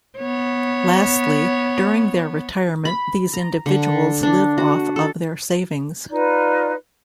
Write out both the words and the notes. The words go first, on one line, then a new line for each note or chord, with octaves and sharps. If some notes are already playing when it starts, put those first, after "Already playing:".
Lastly, during their retirement these individuals live off of their savings.
B3 C#5
B5
A#5
D3
D4
F#4
A4
D#4 F4 B4 D5